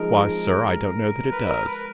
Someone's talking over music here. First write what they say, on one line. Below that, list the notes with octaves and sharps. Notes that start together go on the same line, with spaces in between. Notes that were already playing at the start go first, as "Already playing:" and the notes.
'Why, Sir, I don't know that it does.
Already playing: F3 G#3 D#4 G#4 A#4
B4
A#4
B4